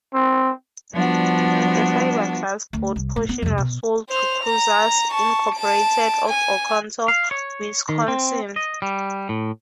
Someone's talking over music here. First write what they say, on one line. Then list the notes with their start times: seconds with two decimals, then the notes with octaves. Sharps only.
The fiberglass boat portion was sold to Cruisers, Incorporated of Oconto, Wisconsin.
0.14 C4
0.92 F3 G3 B3 D4 F#4
2.73 D2
2.96 C2
3.16 A2
3.29 B3
3.42 C2 F2
3.58 B2
4.09 C5 F7
4.44 A#5
5.11 A5 C#6
5.55 A5 D7
6.29 G#5
7.08 F5
7.31 C#5
7.89 D#3
8.08 C4
8.56 D#5
8.82 G3
9.29 A2